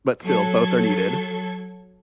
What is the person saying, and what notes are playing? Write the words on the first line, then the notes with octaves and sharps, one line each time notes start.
But still, both are needed.
F#3 A4 G#6